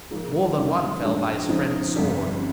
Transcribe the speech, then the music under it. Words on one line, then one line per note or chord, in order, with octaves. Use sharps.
More than one fell by his friend's sword.
G#2 F3 A#3
F2 D#3 G3 C#4 F4
G2 F3 G#3
C#2 C#3 F3 C4 D#4
G1 F2 C3 G3 C#4